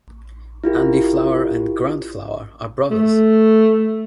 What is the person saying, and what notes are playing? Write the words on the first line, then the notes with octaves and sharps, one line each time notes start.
Andy Flower and Grant Flower are brothers.
E4 F4 G4 A#4
A3